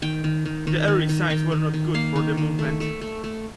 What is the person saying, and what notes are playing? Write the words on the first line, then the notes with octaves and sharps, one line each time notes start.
The early signs were not good for the movement.
D#3 G5
D#3
D#3
D#3
D#3
D#3
D#3 G5
D#3
D#3
A#3 F5
D#3
D#3
A3
A3
A3
A3